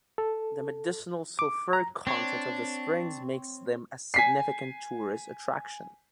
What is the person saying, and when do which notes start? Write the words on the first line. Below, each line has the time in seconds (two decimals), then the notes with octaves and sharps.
The medicinal sulfuric content of the springs makes them a significant tourist attraction.
0.18 A4
1.39 D6
1.73 A#5
2.07 C4 D4 C#5
4.14 G#5 B6 C7